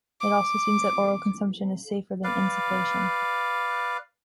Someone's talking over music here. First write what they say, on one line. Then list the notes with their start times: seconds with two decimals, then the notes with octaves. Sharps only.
It also seems that oral consumption is safer than insufflation.
0.21 D6
2.24 B4 D5 F5